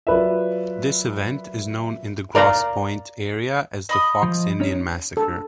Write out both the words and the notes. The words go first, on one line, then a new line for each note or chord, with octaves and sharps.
This event is known in the Grosse Pointe area as the Fox Indian Massacre.
F#3 F4 A#4 B4 D5 E5
A#4 D5 F5 A#5
D#5 B5 D#6
F3
C#4 D#4 C#5
A4